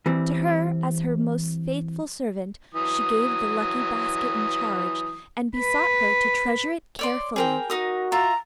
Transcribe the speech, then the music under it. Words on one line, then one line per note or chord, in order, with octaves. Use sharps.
To her, as her most faithful servant, she gave the lucky basket in charge, and besought her to treasure it carefully.
E3 G3 C4
E3 F#3 D#6
B4
C#5 D5 C6
C4 G#4 A#4 G5
D#4 F#4 A#4 D#6
F4 E5 A#5